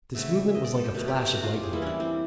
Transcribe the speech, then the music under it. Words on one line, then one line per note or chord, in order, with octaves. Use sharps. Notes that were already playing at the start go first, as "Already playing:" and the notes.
This movement was like a flash of lightning.
C#3 F#3 A3 C4 E5
E5
D#5
D5
A4
G4
B2 F#3 A3 G4
G4
G4
F#4
F4
G4
G#4
E3 G3 A#3 E4
C#4 D4
C4